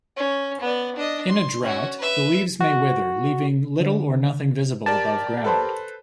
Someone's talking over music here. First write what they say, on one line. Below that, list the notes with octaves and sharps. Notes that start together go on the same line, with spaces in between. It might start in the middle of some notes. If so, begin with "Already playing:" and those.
In a drought, the leaves may wither, leaving little or nothing visible above ground.
C#4
B3 D5
D4 D#5
C6
C#4 F#4
B4 E5
F#4
D3
G4 A#4 D5 A5
A4 B4 C5